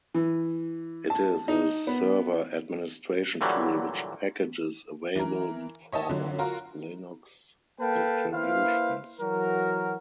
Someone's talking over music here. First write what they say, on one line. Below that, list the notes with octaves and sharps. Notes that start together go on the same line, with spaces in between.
It is a server administration tool, with packages available for most Linux distributions.
E3
A5
D#4
B3
A#2 D3 E3 F#3 G3
E3 A#4
C#5 D#5 E5 A5
D3 F#3
F4 F#4 A#4
A#3 A4 B4 F5 G5 A5
A#3 E4 B4 C5 F5
E3 F#3 F#4 A#4